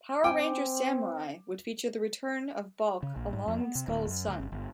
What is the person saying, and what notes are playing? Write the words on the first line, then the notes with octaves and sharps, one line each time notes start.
"Power Rangers Samurai" would feature the return of Bulk along with Skull's son.
C4 G5 G#5 D6
C#3
A#1
G#2
F2
B3
C3
D1
F#2
D2
G1
G1